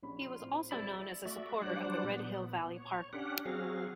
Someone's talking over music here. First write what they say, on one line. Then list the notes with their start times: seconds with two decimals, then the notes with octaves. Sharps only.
He was also known as a supporter of the Red Hill Valley Parkway.
0.03 A#1 C#4 B5
0.22 F4
0.39 A2 C4
0.71 D#1 C4 E4 G#4 D5 B5
1.25 A3 F#4 D5 E5
1.62 F#3 G3 D4 C5 D5 F#5
2.04 A#2 B3
2.77 C#5
3.13 C#4 D4 G4 F#5
3.46 F#3 C4 F#4 G#4 F5